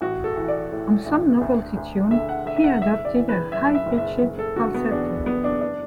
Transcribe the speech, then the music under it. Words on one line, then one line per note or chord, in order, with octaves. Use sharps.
On some novelty tunes he adopted a high-pitched falsetto.
A1 F#4
A4
E3
D5
A2
A1
D2
D2
D3 E5
F#5
D3 E5
E5
F#5
F#1 E5
D5
E3
B4
F#2 E5
E5
F#1
E5
F#1
A4
D3 F#4
B3
E2 D4
F#1 B3
D4
D4